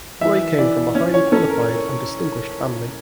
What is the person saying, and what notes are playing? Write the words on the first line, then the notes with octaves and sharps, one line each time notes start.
Roy came from a highly qualified and distinguished family.
E3 E5
E3 D5
C#4 C#5
C#5
C#4 A4
A#4